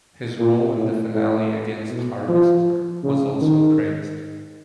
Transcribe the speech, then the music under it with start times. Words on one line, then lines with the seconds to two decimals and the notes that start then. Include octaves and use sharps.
His role in the finale against Harvest was also praised.
0.39 A#2
0.76 A2
1.14 A2
1.90 B2
2.28 F3
3.04 C#3
3.41 D#3